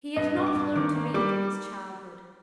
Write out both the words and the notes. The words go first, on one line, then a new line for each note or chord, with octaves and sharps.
He had not learned to read in his childhood.
G2 D#5
G2
D6
G2
D#3 D6
A#3
G3 D6